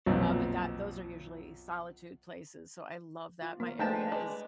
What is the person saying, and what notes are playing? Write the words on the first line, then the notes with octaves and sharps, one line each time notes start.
Uh, but that those are usually solitude places, so I love that. My area is,
B1 F2 A#2
F4
A#3
G#3 A3 D4 B4 G5 A5
G#3 B4 D5